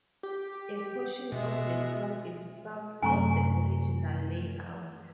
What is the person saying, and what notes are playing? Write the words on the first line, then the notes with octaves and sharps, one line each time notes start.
A portion of the town is south of the original layout.
G4
B2 G#3 E5
F#2 C3 A3 G#5 A#5 C#6